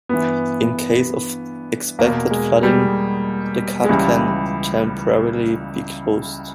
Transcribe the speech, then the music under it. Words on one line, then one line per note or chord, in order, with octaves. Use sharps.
In case of expected flooding the cut can temporarily be closed.
G2 E3 B3
E2 B2 A#3
G#3
G3
G#3
C#2 C#3 E3 G3